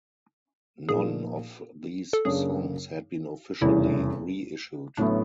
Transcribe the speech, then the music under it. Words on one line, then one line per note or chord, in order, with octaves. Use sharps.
None of these songs had been officially re-issued.
A#2 F3 A#3 D#4 G#4
A4
F#2 C#3 F#3 A#3 D4 G#4
F1 E2 C#3 E3 G3 E4
A1 A2 F#3 B3 D4 E4